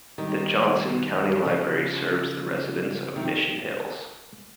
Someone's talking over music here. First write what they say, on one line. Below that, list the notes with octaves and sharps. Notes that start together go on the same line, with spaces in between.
The Johnson County Library serves the residents of Mission Hills.
D#3 G3
C#3 F3
C3 D#3